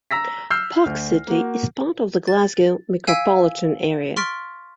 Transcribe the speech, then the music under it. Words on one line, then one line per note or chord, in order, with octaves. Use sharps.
Park City is part of the Glasgow micropolitan area.
A#5 E6 A#6 B6
E6 F6 G6 C7
D2
A#3 F#4
A6
F5 G#5 E6 G#6 B6 D7
C6 C#6 F6 A6 B6 D7